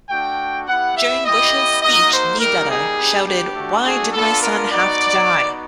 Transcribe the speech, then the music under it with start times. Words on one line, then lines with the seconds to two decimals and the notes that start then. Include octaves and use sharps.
During Bush's speech, Niederer shouted Why did my son have to die?
0.09 A3 D4 F#4 G5
0.67 B3 E4 G4 F#5
0.97 E5
1.25 B3 E4 G4 D#5
1.83 A#3 D#4 F#4 D#5
2.12 C5
2.40 G3 A#3 D#4 G4 A#4
2.69 G#4
2.98 B3 D4 G4
3.27 G4
3.56 A3 D4 F#4
3.85 G#4
4.14 B3 D4 F4 A4
4.43 A#4
4.71 B3 D#4 F#4 D5
5.29 B3 D#4 F#4